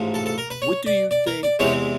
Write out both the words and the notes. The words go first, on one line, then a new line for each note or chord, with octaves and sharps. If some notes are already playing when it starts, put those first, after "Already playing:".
what do you think,
Already playing: A1 G#2 F3
A4
A4
A#4
B4
C#5
D5
D5
A#4
D5
E2 C3 E3 G#3 C#5